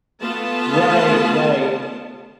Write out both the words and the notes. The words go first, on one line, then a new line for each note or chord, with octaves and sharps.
Right, right.
A3 B3 F4 A5